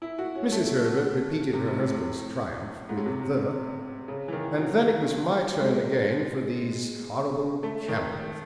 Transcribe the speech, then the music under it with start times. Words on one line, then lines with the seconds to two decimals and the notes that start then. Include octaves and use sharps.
Mrs. Herbert repeated her husband's triumph with "the," and then it was my turn again for these horrible camels.
0.02 E4
0.19 F#4
0.35 C#4
0.52 A3
1.53 C3
1.67 A2
1.79 A2
1.92 A2
2.89 G#2
2.97 A2
3.06 C3
4.08 C#3
4.28 E3
4.33 D#3
4.59 F#3
5.60 G#3
7.63 A3
7.88 D#3